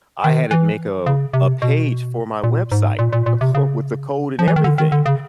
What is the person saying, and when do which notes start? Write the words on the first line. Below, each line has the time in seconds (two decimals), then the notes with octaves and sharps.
I had it make a a page for my website, uh, co with the code and everything,
0.24 D#3
0.51 E3
1.06 C#3
1.34 C3
1.62 B2
2.44 A#2
2.72 G#2
2.99 A#2
3.13 A#2
3.26 A#2
3.41 C3
3.55 C#3
4.39 F3
4.48 E3
4.56 D#3
4.64 D3
4.78 D#3
4.92 D3
5.06 C#3